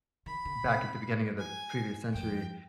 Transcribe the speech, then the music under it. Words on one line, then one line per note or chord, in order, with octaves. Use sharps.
back at the beginning of the previous century,
D#3 B5
D3
C3
G#5
F2 G5